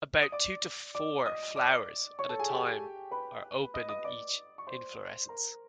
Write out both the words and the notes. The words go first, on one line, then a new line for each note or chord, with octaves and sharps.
About two to four flowers at a time are open in each inflorescence.
D#6
D5 D6
D5 D6
D#5 D#6
D5 D6
C#5 C#6
A4 A5
G#4 G#5
G4 G5
B4 B5
D#5 D#6
D#5 D#6
D5 D6
C#6
C5 C6
A#4 A#5